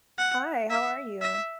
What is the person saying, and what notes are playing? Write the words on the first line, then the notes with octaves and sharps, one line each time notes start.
Hi, how are you?
F#5
E5
E5